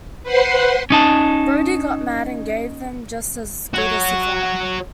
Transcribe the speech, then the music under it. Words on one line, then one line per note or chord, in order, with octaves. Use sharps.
Brodie got mad and gave them just as good as he got.
B4 C5 F#5 C6
C#4 D#4 A5
F#4 C#5